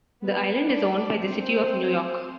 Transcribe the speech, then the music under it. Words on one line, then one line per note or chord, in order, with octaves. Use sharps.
The island is owned by the city of New York.
B3 B4
D4 D5
C4 C5